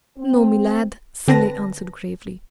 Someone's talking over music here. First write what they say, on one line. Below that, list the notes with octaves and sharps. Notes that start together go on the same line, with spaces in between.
"No, me lad," Cilley answered gravely.
C4
D3 C4 B4 A5 A#6